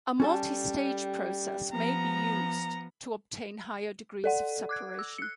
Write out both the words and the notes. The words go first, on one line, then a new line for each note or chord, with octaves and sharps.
A multistage process may be used to obtain higher degrees of separation.
G3 C#4 A4 A5
F3 B3 A#5
A4 D5 F#5
D6 F#6 G#6
E6
F#6 C#7